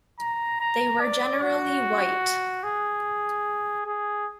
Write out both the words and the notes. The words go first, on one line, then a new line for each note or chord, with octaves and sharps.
They were generally white.
A#5
A#5
D5
F#4
G#4
G#4